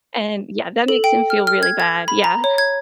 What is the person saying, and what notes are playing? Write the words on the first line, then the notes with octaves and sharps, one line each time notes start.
and yeah, that makes him feel really bad, yeah.
A4
G5
F6
F6
G#6
G#6
B5
A#5
C#5
G#6